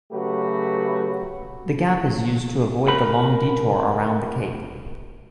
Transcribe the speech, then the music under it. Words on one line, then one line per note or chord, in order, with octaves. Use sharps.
The gap is used to avoid the long detour around the cape.
C#3 F#3 A3 F#4 G4 B4
A#4 B5